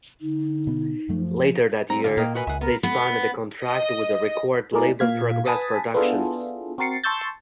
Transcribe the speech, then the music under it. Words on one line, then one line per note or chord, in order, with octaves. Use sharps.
Later that year, they signed a contract with the record label Progress Productions.
D3 D#4
B2 B3
F#2 F3 F#3 A3
G3 C4 A#5
D2 A#2 D3 D4 F5
A#2 A#3 A#4 D#5 G5
F#4 B4 G#5
C#2 E5 F#5
B3 A#4
B3
D#5
G#3 A3 E4 G#4 A#4 D5
A#2 F5 G#6 B6
B4 G#5 A5 D#6 A6 B6
B3 D4 E4 F4 G#4 A4
C4 F#4 A#4 A6 C7 C#7
A5 C6 C#6 E6 G6 A6